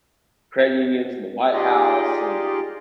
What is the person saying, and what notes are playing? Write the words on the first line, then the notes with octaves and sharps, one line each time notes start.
credit unions and the White House, and
D#4 F4 G4 G#4 D5 D#5